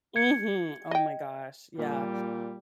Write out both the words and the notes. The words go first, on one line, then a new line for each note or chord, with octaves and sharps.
Mhm. Oh my gosh. Yeah.
G#6 C#7
D#5 G5
A#2 G3